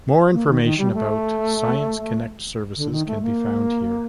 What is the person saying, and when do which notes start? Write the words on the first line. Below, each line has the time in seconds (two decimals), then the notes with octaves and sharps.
More information about Science Connect services can be found here.
0.33 A#3
0.48 D#3
0.63 D#3
0.78 G3
0.94 A3
2.77 D3
2.92 D#3
3.07 A3
3.22 A#3